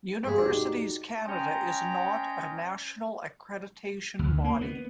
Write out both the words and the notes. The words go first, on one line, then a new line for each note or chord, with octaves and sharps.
Universities Canada is not a national accreditation body.
G2 G#3
D4 D#4 F#4 G4
C#4 D#5 G5 A#5 C6
D2
A#3
B3